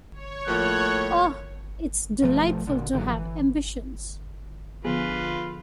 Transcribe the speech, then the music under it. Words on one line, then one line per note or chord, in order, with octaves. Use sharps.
Oh, it’s delightful to have ambitions.
C#5
A2 F3 A#3 F#6
B2 F3 G3 A3
A#2 D3
G#2 D3 E3 F#3
E3
D3 F3 B3 F4 G#4 B4